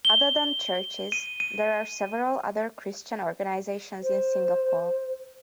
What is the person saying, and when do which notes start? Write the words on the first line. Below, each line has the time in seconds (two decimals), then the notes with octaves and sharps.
Other than churches, there are several other Christian organisations in Singapore.
0.05 G7
1.12 D#7
1.40 D#7
4.03 C5